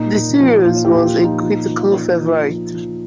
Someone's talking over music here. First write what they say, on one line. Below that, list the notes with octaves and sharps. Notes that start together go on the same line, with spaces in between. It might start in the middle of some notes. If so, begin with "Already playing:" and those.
The series was a critical favorite.
Already playing: A#2 D#4
A#2
F3
A#2 F4
G4
A#2
F4
F3
D#4
F3
F3
F3
F3
F3
F3